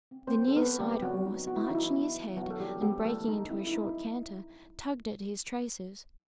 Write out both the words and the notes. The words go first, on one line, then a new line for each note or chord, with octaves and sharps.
The near side horse, arching his head and breaking into a short canter, tugged at his traces.
C4
C4 C5
F#3
A4
B3 C4 B4
F#3 G3 G4
F#3 C4 F#4
F#3 D#4
B3 F#4
E4
E3 D#4
E4
B3
E3
F#3 B3 F#4
A4
E3 G3 G4
G3 B3 G4
E3 A3 A4
A3 D#4
C4 E4
E4
F#3 D#4